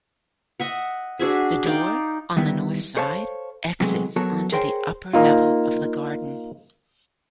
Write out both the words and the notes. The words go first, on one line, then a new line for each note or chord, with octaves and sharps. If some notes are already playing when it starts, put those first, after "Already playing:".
The door, on the north side, exits onto the upper level of the garden.
D#5 E5 F#5
D4 F#4 G#4 E5
D#4 D5 F5 G5
D#3 G3 B3 E4
A4 C5 C#5 F5 A5
C3 E3 F#3 G#3 A3 B3
F#3 B3 F#4 A4 A#4 C#5
G#4 A#4 C5 C#5 G5
A#3 D#4 F4